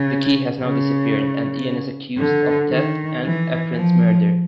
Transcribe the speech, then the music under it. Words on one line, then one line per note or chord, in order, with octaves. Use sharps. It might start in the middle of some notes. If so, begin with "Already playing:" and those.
The Key has now disappeared and Ian is accused of theft and Eprin's murder.
Already playing: C#3
C#3
D3
D#3
E3
F3